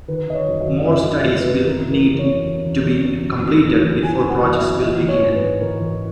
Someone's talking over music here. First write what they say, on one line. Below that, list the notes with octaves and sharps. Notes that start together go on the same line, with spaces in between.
More studies will need to be completed before projects will begin.
D#3 B4
D#3 D#5
C#5
F#2
D#5
D#3
F#2 E5
D#3 D#5
E5
F#2
B4
F#2
E3 A#4
E3
A#4
E3
C#5
E2
C#3
E2
E2
C#3
F#2
E3
F#2
E3
E3 G#5
F#2
F#5
F#2
E5
E3
E3 D#5
E3
C#5
G#2
B4
G#2
E3 A#4
E3